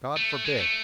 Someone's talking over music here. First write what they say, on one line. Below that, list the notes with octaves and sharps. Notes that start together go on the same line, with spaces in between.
God forbid.
A3
G#3
A3